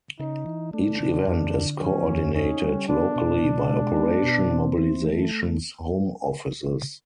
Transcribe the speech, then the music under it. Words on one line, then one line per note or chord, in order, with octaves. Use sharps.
Each event is coordinated locally by Operation Mobilisation's home offices.
C#3 D#4
E3
A3 D4
C#3
F2
D3
F3 C#4
F2
C#4 D#4
G3
B3 D4
B2
B2
G#3
B3
B2
C4
E3
A3